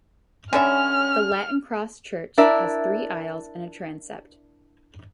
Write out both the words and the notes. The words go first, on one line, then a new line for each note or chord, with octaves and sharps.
The Latin-cross church has three aisles and a transept.
D3 G3 C#4 C#5 E5 G#5 F6
D4 E4 A#4 D5 E5